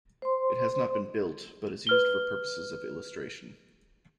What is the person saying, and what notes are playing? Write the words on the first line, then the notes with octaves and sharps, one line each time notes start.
It has not been built, but is used for purposes of illustration.
C5 C6
B4 F6 G7